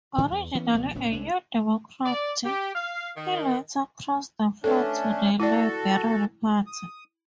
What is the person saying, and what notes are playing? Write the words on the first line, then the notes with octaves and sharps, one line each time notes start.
Originally a New Democrat, he later crossed the floor to the Liberal Party.
A2 D3 E3 G#3
E2
E3 B3 C#4
C#2 B2 F3 B3
F1 A2 B3 C#4
C2 G#3 A3 D4
D5
G4
F5
D#3
A3 C#4 D4 A4 B4
E4 F#4 A4 D5
D#6